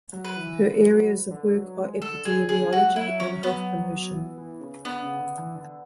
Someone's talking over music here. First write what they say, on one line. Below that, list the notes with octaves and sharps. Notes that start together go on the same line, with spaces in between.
Her areas of work are epidemiology and health promotion.
F#3
B4
E3
D3
E3
F#3
D3
F#3
G#3
D3 A4
D3 G#4
D3 G#4
F#3 F#4
G#3
F#3
E4
C#4
B3
E3
E3
C#3
D3 B3
C#3
D3
E3
D3